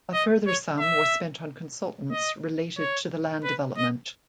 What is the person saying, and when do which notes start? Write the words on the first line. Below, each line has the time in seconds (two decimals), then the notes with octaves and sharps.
A further sum was spent on consultants related to the land development.
0.13 D#5
0.46 C#5
0.79 E5
2.11 D#5
2.78 C#5
3.44 B4
3.77 D#5